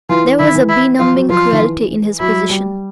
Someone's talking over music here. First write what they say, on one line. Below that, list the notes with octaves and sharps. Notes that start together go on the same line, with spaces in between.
There was a benumbing cruelty in his position.
E3 F4
D#3 E4
E3
E4
F3 F4
F#3
F3 F4
D#3
E3
F#3 E4
G3